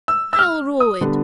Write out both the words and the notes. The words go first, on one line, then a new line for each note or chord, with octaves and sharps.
"I'll rule it!"
E6
E6
F6
D#6
D3 G3 B3 D4